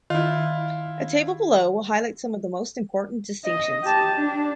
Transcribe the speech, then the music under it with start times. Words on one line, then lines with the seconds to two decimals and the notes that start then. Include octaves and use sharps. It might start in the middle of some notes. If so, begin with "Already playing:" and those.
A table below will highlight some of the most important distinctions.
0.10 D#3 E4 F4
3.45 D#5
3.83 G4 A5
4.15 D4